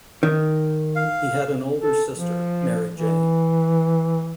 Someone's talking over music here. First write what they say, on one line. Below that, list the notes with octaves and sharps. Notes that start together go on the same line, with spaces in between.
He had an older sister, Mary Jane.
D#3
F5
A4
F3
E3